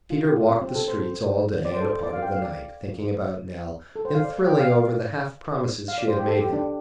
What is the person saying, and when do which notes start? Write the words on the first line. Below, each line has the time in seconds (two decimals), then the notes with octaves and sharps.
Peter walked the streets all day and a part of the night, thinking about Nell, and thrilling over the half promises she had made him.
0.10 F4
0.23 G4
0.36 F4
0.49 C4
0.62 C4
0.75 A4
0.88 C5
1.65 D5
1.72 C5
1.80 A4
1.87 C5
2.03 D5
2.13 F5
2.22 G5
2.32 F5
2.42 D5
3.96 A4
4.05 C5
4.15 F5
4.24 D5
4.47 G5
4.60 F5
4.72 D5
5.88 F5
5.98 D5
6.08 C5
6.17 G4
6.27 A4
6.40 G4
6.53 D4